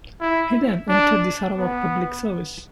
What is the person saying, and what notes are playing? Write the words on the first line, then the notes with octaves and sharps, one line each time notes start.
He then entered the Sarawak public service.
E4
D4
B3